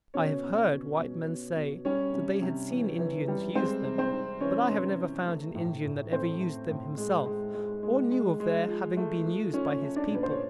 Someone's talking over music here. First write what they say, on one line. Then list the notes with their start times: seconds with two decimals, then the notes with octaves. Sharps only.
I have heard white men say that they had seen Indians use them; but I have never found an Indian that ever used them himself, or knew of their having been used by his people.
0.14 B2 C#4 C#5
0.43 B2
0.71 B2
0.99 B2
1.28 B2
1.56 B2
1.85 G3 C#4 C#5
2.13 C3
2.42 C3
2.70 E3
2.99 E3
3.28 G3
3.55 G#3 C4 C5
3.84 C3
3.98 C4 C5
4.13 C3
4.41 E3 C#4 C#5
4.70 C3
4.98 E3
5.27 A3
5.55 A2
5.84 A2
6.12 A3 C4 C5
6.40 A3
6.69 A2
6.97 G#3
7.26 G#3
7.55 G#3
7.83 G#3
8.11 G#3
8.40 G#3
8.68 F3
8.97 A3
9.26 F3
9.53 F3 C#4 C#5
9.82 A3
9.96 D4 D5
10.10 A#2 B4
10.23 C5
10.31 C#5